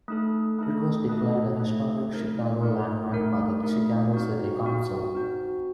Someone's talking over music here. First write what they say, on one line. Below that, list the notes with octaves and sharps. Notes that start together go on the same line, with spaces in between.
It was declared a historic Chicago Landmark by the Chicago City Council.
A3 D#4 A4
A3 D#4 A4
A3 D#4 A4
A3 D#4 A4
A3 D#4 A#4
A3 D#4 A#4
A3 D#4 A#4
A3 D#4 A#4
C4 D#4 F#4
C4 D#4 F#4
C4 D#4 F#4